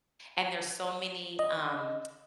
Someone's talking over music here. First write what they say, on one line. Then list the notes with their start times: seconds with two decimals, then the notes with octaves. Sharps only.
And there's so many, um
1.39 D#5